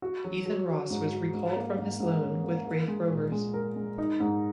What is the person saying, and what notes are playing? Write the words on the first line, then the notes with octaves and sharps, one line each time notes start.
Ethan Ross was recalled from his loan with Raith Rovers.
F#4
F#3
F#3
F#3
G#2
F#4
G#2
A#3
G#2
G#2
C#4
A#3
A#4
G#3
A#2
G#3
A#4
G#3
D#4
G#2